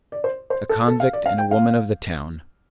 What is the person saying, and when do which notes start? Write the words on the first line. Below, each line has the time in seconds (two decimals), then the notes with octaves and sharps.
A convict and a woman of the town.
0.12 D5
0.24 C5
0.50 C5
0.69 A4
0.88 A4
1.00 F5
1.13 D5
1.26 F5
1.38 G5
1.51 F5